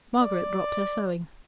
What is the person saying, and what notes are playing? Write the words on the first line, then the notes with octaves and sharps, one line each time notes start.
Margaret dropped her sewing.
D5